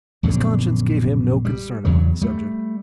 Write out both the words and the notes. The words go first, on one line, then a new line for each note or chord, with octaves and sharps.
His conscience gave him no concern upon the subject.
A#1 F#2 B2 D3
G3
E2 C#3 F#3
G3 A3